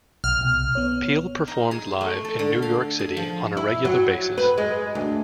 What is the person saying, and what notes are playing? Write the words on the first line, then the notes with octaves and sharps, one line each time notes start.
Peel performed live in New York City on a regular basis.
B1 F6
C2 B2
B3 C#5
D#4
G#4
A3
A4
D3
F5
G#4
F3
E4
F#3
B4
G#3
D2